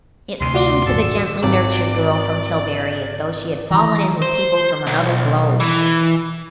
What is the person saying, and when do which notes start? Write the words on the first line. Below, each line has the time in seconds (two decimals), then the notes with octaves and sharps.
It seemed to the gently nurtured girl from Tillbury as though she had fallen in with people from another globe.
0.41 D2 C3 C6
0.55 F#4 D5 D6
0.86 D#1 G#2 A4
1.01 E6
1.43 G#1 D5
3.70 D#3 E3 A#5
4.22 C5
4.87 B1
5.60 E3